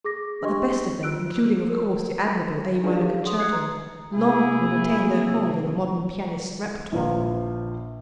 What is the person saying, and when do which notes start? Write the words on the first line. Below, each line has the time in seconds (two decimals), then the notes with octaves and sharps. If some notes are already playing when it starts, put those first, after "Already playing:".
But the best of them, including, of course, the admirable "A Minor Concerto," long will retain their hold on the modern pianist's repertoire.
0.04 G#4 D6 A#6
0.43 D4 G4 G#4 D#5 C6 C#6
1.03 F4 E6 F#6 D7
1.69 A#4
2.83 D4 D#4 F4 G#4 B4 D5
2.96 G4 A4 C#5 F5
3.11 G4
3.23 G#4 A4 F#5 C6 D#6
3.38 D#6 F#6 G#6 C7 C#7
3.52 B4 A#5
4.12 C3 A#3 E4 G#4
6.92 A#1 F3 B4 F5